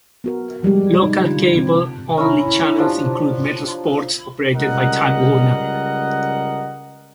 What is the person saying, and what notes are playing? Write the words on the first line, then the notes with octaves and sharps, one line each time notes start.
Local cable-only channels include Metro Sports, operated by Time Warner.
B3 F#4 A#4
F3 G3 G#3 G4
D#4
D3 D4 F4
C3 C4
C#4 E4 A#5
F3 D4 G4
C#2 G3 A#4 D#5 F#5